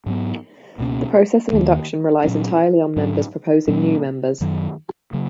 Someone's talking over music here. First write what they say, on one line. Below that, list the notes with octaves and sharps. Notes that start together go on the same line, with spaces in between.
The process of induction relies entirely on members proposing new members.
G#2 F#3 B3
C#2 B2 A#3 C#4
D#2 D#3 A#3
A#2 F#3 C#4
G#2 F#3 C#4
A#2 F#3 A#3 C#4
F#2 D#3 F#3
C#3 F#3 A#3